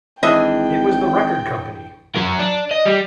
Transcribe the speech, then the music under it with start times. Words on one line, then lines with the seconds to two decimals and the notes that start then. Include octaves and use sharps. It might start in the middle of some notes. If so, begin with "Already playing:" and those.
It was the record company!
0.23 G#1 E3 D4 G#4 D#5 E5 G5
2.16 F#3 A#4
2.39 D4
2.71 D#5
2.85 G3